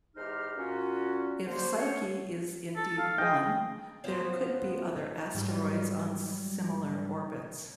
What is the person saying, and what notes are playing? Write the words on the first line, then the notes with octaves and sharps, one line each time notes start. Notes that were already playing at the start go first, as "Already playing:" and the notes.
If Psyche is indeed one, there could be other asteroids on similar orbits.
E2 G#3 D#4 G4 C5 F6
A#2 C#4 F#4
G#2 D3 A#3 F#4 C5
F#4 G#4 A#4 C5 C#5
A4
F5
G#4 D#5 G5
F3 B3 C#4 C5
G#2 F#3 G3